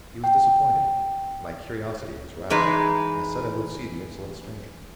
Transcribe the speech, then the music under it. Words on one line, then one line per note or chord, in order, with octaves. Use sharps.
He was disappointed; my curiosity was roused; I said I would see the insolent stranger.
G5
E3 G#3 D#4 B4